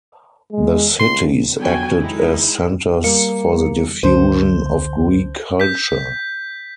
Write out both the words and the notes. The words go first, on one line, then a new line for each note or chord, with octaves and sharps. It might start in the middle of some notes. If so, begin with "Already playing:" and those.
The cities acted as centers for the diffusion of Greek culture.
G#3
C#2 C6
D3 F#3 B3 F#4 G5 G#5
G#3 D#4 E4
G3 A#3 C#7
C#2 D3 C5
G6 B6